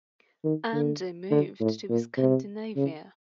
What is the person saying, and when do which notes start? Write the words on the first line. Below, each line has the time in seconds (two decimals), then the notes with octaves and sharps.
Andy moved to Scandinavia.
0.44 D#3
0.73 D3
1.31 D3
1.60 A2
1.89 A#2
2.18 C3
2.76 C#3